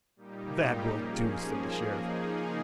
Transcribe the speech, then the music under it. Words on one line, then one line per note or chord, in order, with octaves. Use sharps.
"That will do," said the Sheriff.
A#2 G3 A#3 D#4 G4
F3 A#3 C#4 G#4
F3 A#3 D#4 G#4
C#3 F3 A#3 D#4 G#4